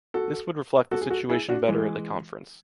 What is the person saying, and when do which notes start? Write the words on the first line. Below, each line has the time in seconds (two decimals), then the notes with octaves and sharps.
This would reflect the situation better at the Conference.
0.14 F#4 A4
0.91 F#4 A4
1.02 G#4
1.10 F#4 A4
1.29 E4 G#4
1.49 D4 F#4
1.68 E3 G#3